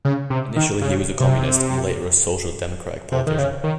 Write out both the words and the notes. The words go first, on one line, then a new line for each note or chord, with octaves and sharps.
Initially he was a communist and later a social democratic politician.
C#3
C3
D#3
C#3
C3
C3
D#3
C#3
D#3